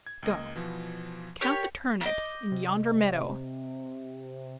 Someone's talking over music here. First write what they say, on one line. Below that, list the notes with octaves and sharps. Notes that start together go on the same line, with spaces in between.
Go! count the turnips in yonder meadow.
G#6
C#2 A#3 D#5
B2 E3 F3
G4 A#4 C#5
D#5 D6 G6
C3